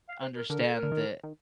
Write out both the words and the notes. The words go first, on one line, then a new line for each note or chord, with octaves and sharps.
understand that,
F5
C5
A#4
D3 A#4
A4
A#4
D3
D#3
D#3